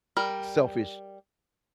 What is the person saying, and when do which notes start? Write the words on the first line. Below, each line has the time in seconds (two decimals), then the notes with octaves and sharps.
eh, selfish,
0.17 G3 A#4